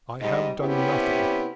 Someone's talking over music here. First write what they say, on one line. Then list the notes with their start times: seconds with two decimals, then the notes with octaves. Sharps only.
I have done nothing.
0.21 G#2 G3 D#5
0.58 C3 B3 C#4 E4 G4